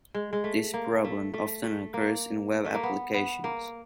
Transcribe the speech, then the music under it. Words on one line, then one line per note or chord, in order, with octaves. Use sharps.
This problem often occurs in web applications.
G#3
G#3
A3
A#3
A3
A3
A3
A#3
A3
A#3
B3
B3
A#3